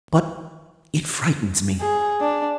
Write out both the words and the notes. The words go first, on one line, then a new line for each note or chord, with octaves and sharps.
But--... it frightens me.
G#4
D4